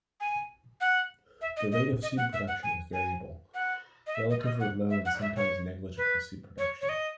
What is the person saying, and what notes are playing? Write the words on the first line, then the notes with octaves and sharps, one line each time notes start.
The rate of seed production is variable: relatively low and sometimes negligible seed production.
G#5
F#5
E5
D#5
D#5
D#5
F#5
E5
F#5
G#5
G#5
F#5
D#5
E5
D#5
D#5
F#5
E5
F#5
E5
C#5
B4
C#5
C#5
D#5